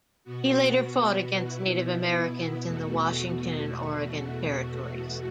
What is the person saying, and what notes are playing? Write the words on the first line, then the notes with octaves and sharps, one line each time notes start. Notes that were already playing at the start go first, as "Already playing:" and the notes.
He later fought against Native Americans in the Washington and Oregon territories.
B2 B3 F#4
B2 B3 E4
E2 B2 A3 F#4